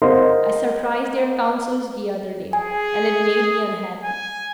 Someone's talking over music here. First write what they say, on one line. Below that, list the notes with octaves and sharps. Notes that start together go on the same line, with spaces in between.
I surprised their councils the other day, and it made me unhappy.
A#4 C5 D#5 F5 F#5 C6
G#4 G#5
G#5